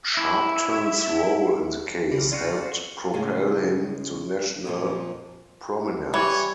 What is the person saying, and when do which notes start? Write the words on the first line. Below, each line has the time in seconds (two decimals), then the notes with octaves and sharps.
Sharpton's role in the case helped propel him to national prominence.
0.17 E4 E5
2.12 B1 C#3 E3
2.32 C#4 F4 F#4 D5
3.14 A2 C#3 G#3 C#4 D4
4.65 F2 A#2 F3
6.14 E3 G3 C#5